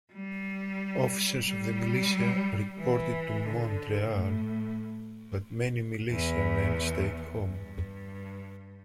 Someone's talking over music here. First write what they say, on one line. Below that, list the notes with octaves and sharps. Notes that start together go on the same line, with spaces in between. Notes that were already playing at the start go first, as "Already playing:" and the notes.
Officers of the militia reported to Montreal, but many militia men stayed home.
G3
G3
E3
D3
A2
E2
G2